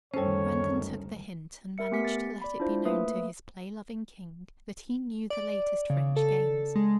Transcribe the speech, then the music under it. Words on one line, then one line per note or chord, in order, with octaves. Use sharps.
Brandon took the hint and managed to let it be known to his play-loving king that he knew the latest French games.
F#1 D2 D#3 G3 C#4 A4 C5 C#5
A#4 E5 C#7
A3 B3 G4 G#5 B6 C#7
A6
D5 B5
D4 E4 F4 C5
A3 A#3 B4 E5 D#6
D5
C#3
A4
G#3